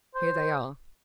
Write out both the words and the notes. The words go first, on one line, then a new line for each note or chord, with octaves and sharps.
"Here they are."
C5